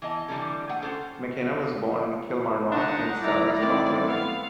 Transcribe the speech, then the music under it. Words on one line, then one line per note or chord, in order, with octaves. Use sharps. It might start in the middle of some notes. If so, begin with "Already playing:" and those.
McKinna was born in Kilmarnock in southwest Scotland.
E3 B3 D#5 A5
D3 E3 G3 A#3 C#4 A4
A3 G#4 F#5 G5
C#4 F4 A4 C5
D3 D4 D#4 F#5
D#2 G3 E4 D5 A#5
D#3 A3 C4 D5
B3 F5